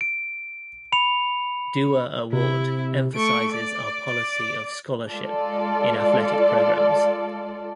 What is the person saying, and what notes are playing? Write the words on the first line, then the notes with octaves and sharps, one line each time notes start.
Duer Award emphasizes our policy of scholarship in athletic programs.
D7
B5 C#7 F7
C3 E4
A3 C#6 D7
D5
D5
G#3 F4 A4 D5